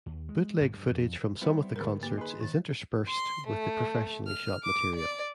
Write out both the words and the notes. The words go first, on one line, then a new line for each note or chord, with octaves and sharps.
Bootleg footage from some of the concerts is interspersed with the professionally shot material.
D#2
G#3
D1 G#1 G#2 E3
G2
F2
G3 B3 C4 E4
G#2 D3 G#4 A#4
A#3 G4 B4
D#4 G#4 B4 C6
D#3 A6
C6
A3
F6
D6
D5